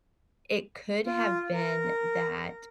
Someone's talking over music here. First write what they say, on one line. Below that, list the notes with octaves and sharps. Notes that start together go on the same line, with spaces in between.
it could have been that
F4
A#4